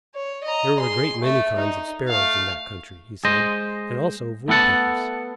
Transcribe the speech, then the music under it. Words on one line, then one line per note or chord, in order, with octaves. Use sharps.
There were a great many kinds of sparrows in that country, he said, and also of woodpeckers.
C#5
D#5 A#5
G#4 C6
A3 E5
D#4
A3 F5
G#3 C5 D#5
A3 B3 A4 F#5 A5